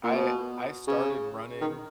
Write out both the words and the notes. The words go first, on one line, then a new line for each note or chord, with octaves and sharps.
I I started running,
A#2
B2
C#3
D#3